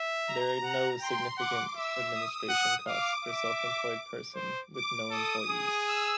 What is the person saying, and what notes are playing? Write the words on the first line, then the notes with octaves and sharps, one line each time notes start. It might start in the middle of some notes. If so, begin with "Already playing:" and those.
There are no significant administration costs for self-employed person with no employees.
Already playing: E5
A#5
F#5
G5 C6
F#5 D6
E5 E6
D#6
F#5
F5 D6
E5 D6
C5
D6
A4 D#6
G#4
E6